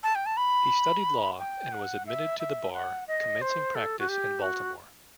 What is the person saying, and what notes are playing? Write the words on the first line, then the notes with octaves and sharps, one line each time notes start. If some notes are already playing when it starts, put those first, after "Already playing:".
He studied law, and was admitted to the bar, commencing practice in Baltimore.
A5
G5
A5
B5
G5
F#5
E5
E5
F#5
D#5
C5
A4
F#4
G4
F#4